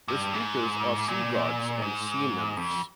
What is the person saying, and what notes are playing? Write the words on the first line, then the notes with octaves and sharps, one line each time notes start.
The speakers are sea-gods and sea-nymphs.
G2
G#2
A#2
G#2
F2